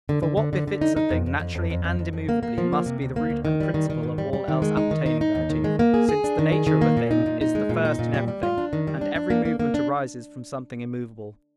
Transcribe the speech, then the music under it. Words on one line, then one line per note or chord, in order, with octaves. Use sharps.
For what befits a thing naturally and immovably must be the root and principle of all else appertaining thereto, since the nature of a thing is the first in everything, and every movement arises from something immovable.
D3
D3
D3
D3
D3
D#4
D#4
F2
F2
F2
F2
F2
F2
F2
F2
A#3
A#3
F3
A#3
C3
D2
A#3
D2
D#3
G3
D#3
D#3
G#2
G3
G3
D#3
G#3
D#4
D#3
D#4
D#4
D#2
D#3
G#3
A#3
G#4
G#4
D4
D#3
G#4
D#3
A#3
A#2
D#4
A#2
D#4
G#3
A#2
D#4
A#2
G3
G3
F4
D4
D#3
G3
D4
D4
A#3
A#3
A#3
D4